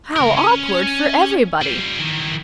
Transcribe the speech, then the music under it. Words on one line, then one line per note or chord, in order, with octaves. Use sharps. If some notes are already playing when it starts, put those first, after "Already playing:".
How awkward for everybody!
C#2 A#4
C#4
G3 F4
D#3 E3